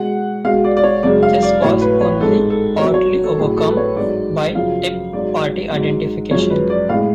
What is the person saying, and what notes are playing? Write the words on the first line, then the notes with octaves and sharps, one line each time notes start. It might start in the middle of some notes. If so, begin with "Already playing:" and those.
This was only partly overcome by Tip Party Identification.
Already playing: B2 G#3 F#5
B2 G#3 F5
D5
D5
C#5
F#2 C#3 G#3 D5
F5
D5
A2 F#3 C#5
B4
C#5
G#2 G#3 A4
A4
B2 F#3 C#5
C#5
A4
A2 F#3 G#4
A4
B4
C#5
G#2 F#3 D5
F#2 C#3 F3 F5
G#2 F#3 D5
G#2 F#3
F#2 F3 G#3 C#5
B4
D5
A2 G#3 F5